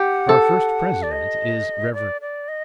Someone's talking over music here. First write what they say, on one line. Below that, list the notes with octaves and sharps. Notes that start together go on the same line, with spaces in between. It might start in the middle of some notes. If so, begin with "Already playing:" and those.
Our first president is Rev.
Already playing: G4 F#5
A4
D5
D#5
D5
D5
D#5